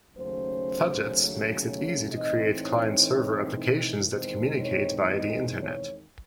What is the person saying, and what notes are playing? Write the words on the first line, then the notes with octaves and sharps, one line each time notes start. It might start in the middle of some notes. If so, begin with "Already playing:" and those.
Fudgets makes it easy to create client-server applications that communicate via the Internet.
D#2 C#3 F#3 A3 C#4 C5
C#5
A2 E3 C4 D#4 D#5
C#5
E2 D#3 G#3 C4 D#4 C5
C#5
D#5
C#5